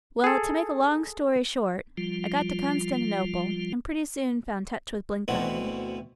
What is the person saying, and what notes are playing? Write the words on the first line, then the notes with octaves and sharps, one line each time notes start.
'Well, to make a long story short, I got to Constantinople, and pretty soon found touch with Blenkiron.
G#4 A4
F3 G3 F4
D2 B2 E3 C4 F#4